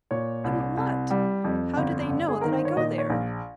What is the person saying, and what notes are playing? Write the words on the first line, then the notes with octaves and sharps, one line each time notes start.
'Wouldn't what?--How do they know that I go there?'
A#2 C#5
C2
C2
G3
F2
G1
G1
G#4
D#3 A#4
C5
C#5
A#2 D#5
C#5
A#1